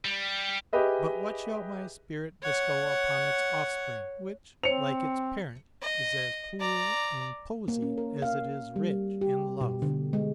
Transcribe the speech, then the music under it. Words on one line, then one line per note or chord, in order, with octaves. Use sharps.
But what shall my spirit bestow upon its offspring, which, like its parent, is as poor in poesy as it is rich in love?
G3
G4 G#4 B4 D#5 E5
C#5 F#5
C4 C5 C#5 C#7 F7
D#5
D5 A#5
A#3
C#4
A#4
F5
G3
G4
B2
D3
G#3